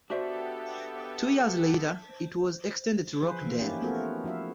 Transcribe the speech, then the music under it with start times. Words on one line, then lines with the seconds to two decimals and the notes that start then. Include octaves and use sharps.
Two years later, it was extended to Rockdale.
0.10 B3 D4 F#4 G4 A4 C5 D5 E5
3.22 F3 G#4 B4 C5
3.44 E3 A#3
3.61 C#4 D#4 E4 G4
3.82 A3 B3 F4 F#4 A4 A#4
4.24 F3 E4 F#4 E5 F5